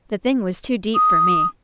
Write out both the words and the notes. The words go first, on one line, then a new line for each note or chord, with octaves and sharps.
The thing was too deep for me.
D#6